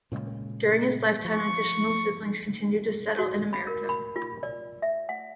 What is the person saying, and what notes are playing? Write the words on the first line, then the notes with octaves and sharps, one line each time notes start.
During his lifetime additional siblings continued to settle in America.
A#2 C#3 G#3
F3 C#6
F#4
B5
A#4
B5
F4
D5
E5
F#5